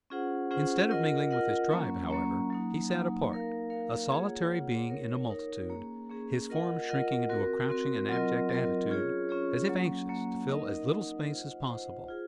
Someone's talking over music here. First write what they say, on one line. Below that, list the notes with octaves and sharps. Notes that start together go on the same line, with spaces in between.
Instead of mingling with his tribe, however, he sat apart, a solitary being in a multitude, his form shrinking into a crouching and abject attitude, as if anxious to fill as little space as possible.
C#4 F4 G#4 C5 F#5
C#4 F4 G#4 C5 F#5
F4 A#4 D#5 F#5
F4 A#4 D#5 F#5
F#3 A#3 C#4
F#3 A#3 C#4
F#3 A#3 D#4
F#3 A#3 D#4
A#3 D#4 A#4 F5
A#3 D#4 A#4 F5
A#3 F4 G#4 C#5 F#5
A#3 F4 G#4 C#5 F#5
D#4 A#4 C#5
D#4 A#4 C#5
A#3 C#4 G#4
A#3 C#4 G#4
F4 A#4 D#5 F#5
F4 A#4 D#5 F#5
C4 F#4 A#4
C4 F#4 A#4
F#3 C4 F4 A#4 D#5
F#3 C4 F4 A#4 D#5
C#4 F4 G#4 C#5
C#4 F4 G#4 C#5
F#3 A#3 C#4
F#3 A#3 C#4
D#4 A#4 D#5 F#5
D#4 A#4 D#5 F#5
F4 C5 D#5 F#5
F4 C5 D#5 F#5
F4 G#4 C5